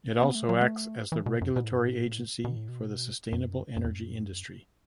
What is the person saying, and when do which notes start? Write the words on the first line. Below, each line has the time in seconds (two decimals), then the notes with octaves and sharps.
It also acts as the regulatory agency for the sustainable energy industry.
0.23 B3
0.35 A3
0.49 F#3
0.61 A3
1.12 E3
1.26 B2
1.41 F#2
1.56 B2
1.64 A2
1.72 F#2
1.79 A2
2.44 B2
2.56 A2
2.69 B2
3.32 F#2
3.76 F#2
3.84 E2
3.92 F#2